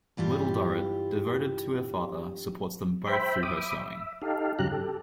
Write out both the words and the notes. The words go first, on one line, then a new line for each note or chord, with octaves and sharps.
Little Dorrit, devoted to her father, supports them both through her sewing.
G2 E3 F4 G4
C5 E5 G5 B5
E5 B5 D6 D#6
E5
D#4 G4 A4 F5
G2 C#3 F#3 G4 A#5 F#6
G4 A4